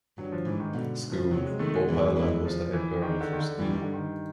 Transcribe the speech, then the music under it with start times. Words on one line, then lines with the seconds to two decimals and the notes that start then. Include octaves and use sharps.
School, Bhopal and was the head girl of her school.
0.17 G2 F#3
0.32 F3
0.45 G#2 E3
0.60 D#3
0.74 B2 D3
1.12 F3
1.31 C3 F#3
1.45 G#3
1.59 D#3 A3
1.73 G#3
1.88 E2 E3
2.16 E2 E3
2.45 F3
2.73 E3
3.02 D#3
3.21 D3
3.33 D#3
3.40 D3
3.58 G2 E3 G3
3.70 D#3
3.82 D3
3.94 D#3